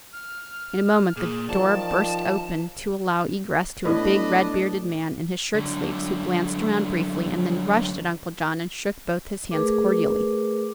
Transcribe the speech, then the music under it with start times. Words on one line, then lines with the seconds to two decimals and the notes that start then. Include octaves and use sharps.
In a moment the door burst open to allow egress to a big, red-bearded man in his shirtsleeves, who glanced around briefly and then rushed at Uncle John and shook both his hands cordially.
0.13 F6
1.17 A#2 G#4
1.49 D#3 F3 D5 A5
3.85 A2 B3 D4 B4 D#5
5.54 F#2 D3
9.51 A3 G#4 A#4 B4 D6